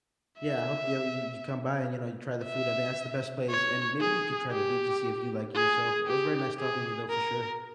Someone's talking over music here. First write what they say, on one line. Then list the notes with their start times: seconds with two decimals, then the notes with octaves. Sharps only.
Yeah, I hope you ever you you come by, and, you know, you try the food. I think that's the best place, and, maybe, you can try the beach, and see if you like it yourself. It was very nice talking to you, though, for sure.
0.39 E5
2.45 E5
3.49 C#5
4.01 G#4
4.51 G4
5.55 G#4
6.07 G4
6.59 G#4
7.10 A#4